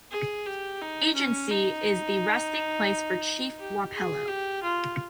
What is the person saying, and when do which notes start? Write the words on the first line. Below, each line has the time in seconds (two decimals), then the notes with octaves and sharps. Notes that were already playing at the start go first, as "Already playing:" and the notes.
Agency is the resting place for Chief Wapello.
0.11 G#4
0.46 G4
0.81 D#4
1.15 C#4
1.51 D#4
3.59 G4
3.94 G#4
4.28 G4
4.63 F4